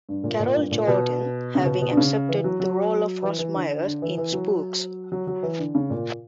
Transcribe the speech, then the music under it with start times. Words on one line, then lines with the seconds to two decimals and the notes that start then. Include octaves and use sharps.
Carol Jordan, having accepted the role of Ros Myers in "Spooks".
0.09 G2
0.24 A#2
0.40 A#2
0.56 G2
0.71 A#2
0.87 B2
1.55 C#3
1.66 B2
1.81 B2
1.91 D3
1.97 C#3
2.29 E3
2.44 F#3
2.60 F#3
3.23 E3
3.39 E3
3.54 D3
3.86 D3
4.02 E3
4.18 E3
4.33 F#3
5.12 F#3
5.27 F#3
5.43 E3
5.58 D3
5.75 C#3
5.90 A#2